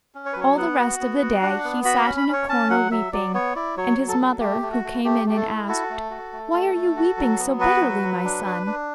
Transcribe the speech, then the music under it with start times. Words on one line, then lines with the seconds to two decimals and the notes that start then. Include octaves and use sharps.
All the rest of the day he sat in a corner weeping, and his mother who came in asked: 'Why are you weeping so bitterly, my son?'
0.15 C#4
0.26 C#5
0.33 B4
0.36 F#3 C#5
0.57 B3 F#5
0.79 F#4
1.00 B3
1.22 F#4
1.42 D4
1.64 B3
1.85 F#4 B5
2.02 C#4 B5
2.17 B5
2.28 C#4 C#5
2.49 C#4 A5
2.70 F#3 F#5
2.92 F#3 E5
3.13 F#3 D5
3.34 B3 C#5
3.56 E4 D5
3.77 F#3 C#5
3.98 F#3
4.08 A4
4.19 F#3
4.40 A3 G4
4.62 A3
4.72 F#4
4.84 A3
5.05 A3 G4
5.26 A3 G4
5.36 A4
5.47 E4
5.69 F#4 A4
5.90 A3
6.10 F#4
6.33 A3
6.53 A3
6.75 A3
6.96 F#4
7.17 F#3
7.39 B3
7.60 F#4 B4
7.81 F#3
8.02 F#3
8.24 D4
8.45 D4
8.67 D4